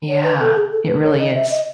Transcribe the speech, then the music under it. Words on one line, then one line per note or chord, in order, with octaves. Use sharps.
Yeah. It really is.
C#5
B4
A4
G#4
A4
B4
C#5
D#5
E5
D#5